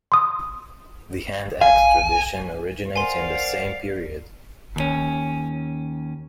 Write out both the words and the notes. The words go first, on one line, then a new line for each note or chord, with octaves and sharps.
The hand-axe tradition originates in the same period.
C6 D#6
F5 G#5
A#4 C5 D5 F5 F#5 G#5 C6
D#2 C#4